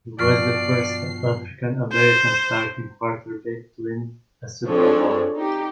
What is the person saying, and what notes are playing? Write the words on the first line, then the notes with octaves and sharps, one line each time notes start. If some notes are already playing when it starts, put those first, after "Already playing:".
He was the first African-American starting quarterback to win a Super Bowl.
G2 B2 F3 D5 C#6 F6 C7
C5
F3 C4 D4 G#4 A4 C#5
D#4 G4